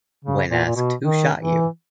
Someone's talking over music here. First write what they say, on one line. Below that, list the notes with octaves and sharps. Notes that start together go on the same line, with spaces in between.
When asked Who shot you?
C#3
A#2
A#2
B2
D#3
E3